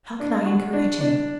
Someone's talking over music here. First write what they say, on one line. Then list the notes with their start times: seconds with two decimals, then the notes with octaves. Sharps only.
"How can I encourage him?"
0.20 D4
0.46 F#4
0.73 D4
1.01 D4